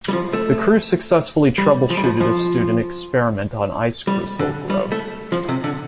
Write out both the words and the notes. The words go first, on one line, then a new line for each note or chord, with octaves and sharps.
The crew successfully troubleshooted a student experiment on ice crystal growth.
G3
F3
A3
G3
F3
G3
F3
F3
G3
D3
G3
A3
F3
C3
D3